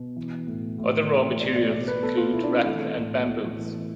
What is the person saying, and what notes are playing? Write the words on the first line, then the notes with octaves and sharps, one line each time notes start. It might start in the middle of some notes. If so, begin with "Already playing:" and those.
Other raw materials include rattan and bamboos.
Already playing: B2
E3
A2
A2
E3
B2 D5
D5
B2 D5
B4
B2 A4
F4
B2 E4
D4
C4
E3 A3
A2
A2
E3